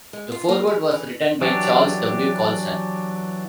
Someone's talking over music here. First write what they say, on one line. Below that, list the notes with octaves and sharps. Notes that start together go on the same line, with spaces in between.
The foreword was written by Charles W. Colson.
G#3
F4
A#3
E3
E3
E3 F#3 D4 G4